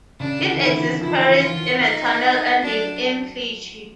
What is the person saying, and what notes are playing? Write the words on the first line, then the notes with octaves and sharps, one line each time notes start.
It exits Paris in a tunnel ending in Clichy.
C#3 D4
D3
E3
D#3 E4
E3
F3 E4
E3
F4
F3
D#4
F#3 D4